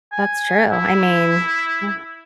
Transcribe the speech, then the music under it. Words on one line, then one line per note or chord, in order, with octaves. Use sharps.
That's true. I mean, yeah.
G#5
E4